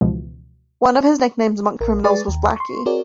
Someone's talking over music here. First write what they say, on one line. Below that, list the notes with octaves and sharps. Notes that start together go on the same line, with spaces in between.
One of his nicknames among criminals was Blacky.
C#2 B2 E3 F3 G#3
A#1 A#4
G#3 G#4 B4 D5 C#6 A6
D#2
C6 C#6
C4 F#4 G#4 A#4 C#5 D5